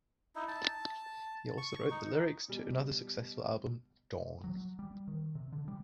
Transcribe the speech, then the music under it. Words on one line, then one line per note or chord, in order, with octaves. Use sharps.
He also wrote the lyrics to another successful album "Dawn".
D#4 E4
A5
C#6
D#4
B2 G3
F#3
G3
D#3
C3
D3
G3